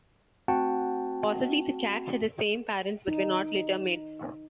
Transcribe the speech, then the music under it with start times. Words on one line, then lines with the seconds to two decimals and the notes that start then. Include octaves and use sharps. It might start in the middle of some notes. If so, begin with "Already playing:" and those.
Possibly the cats had the same parents but were not litter-mates.
0.48 A3 C4 F#4 F#5 G5 A5
3.08 D#4